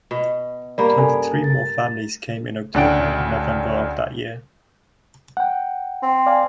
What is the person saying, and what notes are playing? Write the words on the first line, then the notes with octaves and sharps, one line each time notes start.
Twenty-three more families came in October and November of that year.
B2
G2 A#3 D5 B5
C#4 A4 G#5
A6
D2 C#3 D4 F#5 G5 D7
F#5 G5
C4
D5 F5 G#5